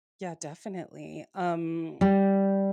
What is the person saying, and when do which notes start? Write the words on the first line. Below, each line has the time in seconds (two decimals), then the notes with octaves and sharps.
yeah, definitely. Um
2.01 G3